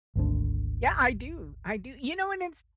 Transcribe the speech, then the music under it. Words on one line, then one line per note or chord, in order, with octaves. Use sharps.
Yeah, I do, I do. You know, and it's
G#1 D2 D3